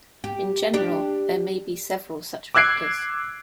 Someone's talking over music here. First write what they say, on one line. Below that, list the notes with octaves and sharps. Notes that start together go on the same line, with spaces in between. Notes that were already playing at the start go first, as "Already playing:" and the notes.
In general, there may be several such vectors.
G4
D4 G4
D6 E6 F#6 G#6 C7 D7